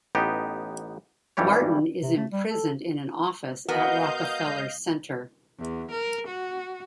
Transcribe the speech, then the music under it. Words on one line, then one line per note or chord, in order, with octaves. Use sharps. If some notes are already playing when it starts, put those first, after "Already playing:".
Martin is imprisoned in an office at Rockefeller Center.
A1 B3 D#4 G4
G#1 G2 E3 G3 G4 C#5
C3
A3
G3
A4
B3 F#4 A#4 D#5 F5 G6
E2
A#4
F#4